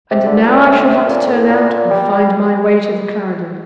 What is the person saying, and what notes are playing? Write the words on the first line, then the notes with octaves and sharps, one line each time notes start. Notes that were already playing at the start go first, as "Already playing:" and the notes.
And now I shall have to turn out and find my way to the Clarendon.'
C3
D3
A#2
A#2
C3
D3
C3
A#2
A2
A#2
A#2
G3
G3